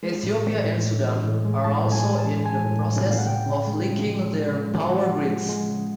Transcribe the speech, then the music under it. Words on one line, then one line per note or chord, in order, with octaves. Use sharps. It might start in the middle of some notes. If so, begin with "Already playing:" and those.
Ethiopia and Sudan are also in the process of linking their power grids.
G#3
A2
E3
A2
A2
E3
A2
G#3
A2 A5
A2
G#5
G#3
A5
E3
G#3 G#5
A2
A2
A2
F5
F#5
C#3 G5
C#3
G#3
C#3
F3
G#3
C#3
G#3
F3 F#5
F3
G#3
G#3
C#3